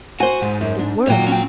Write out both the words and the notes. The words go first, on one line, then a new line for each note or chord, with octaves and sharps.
The world!
F#4 C5 G#5
G#2
F#2
D4
A#2 F#3 C#5 G5
C#4 G5